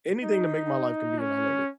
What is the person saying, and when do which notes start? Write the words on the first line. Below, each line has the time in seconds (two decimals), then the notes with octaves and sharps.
anything to make my life convenient, I love it,
0.23 D#4
1.19 C#4